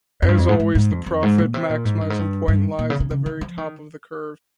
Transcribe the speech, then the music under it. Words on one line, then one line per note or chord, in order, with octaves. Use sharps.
As always, the profit maximizing point lies at the very top for the curve.
F2
G2
F2
G#2
G#2
G#2
F2
F2
G#2
A#2
C3
A#2
G#2
G2
G#2
G2
G2
A#2
C#3
C#3
C#3
D#3
F3
D#3